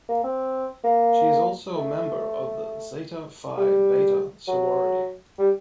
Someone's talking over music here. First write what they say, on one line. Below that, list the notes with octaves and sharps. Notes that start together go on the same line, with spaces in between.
She is also a member of the Zeta Phi Beta Sorority.
A#3
C4
A#3
A3
G3
F#3
G3